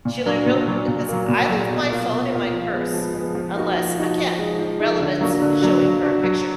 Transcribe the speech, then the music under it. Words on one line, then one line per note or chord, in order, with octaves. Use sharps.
She learned real quick, because I leave my phone in my purse, unless, again, relevance, showing her a picture,
A#2
F#3 D4
A#2
F#3 D4
A#2
F#3 A#3
A#2
F#3 A#3
B2
A#3 F4
B2
A#3 F4
F3
G#3 B3
F3
G#3 B3
F3
A#3 D#4 F#4
F3
A#3 D#4 F#4
F3
G#3 D#4
F3
G#3 D#4
D3
F#3 A#3 D4 F#4
D3
F#3 A#3 D4 F#4
F#3
D4 F#4
F#3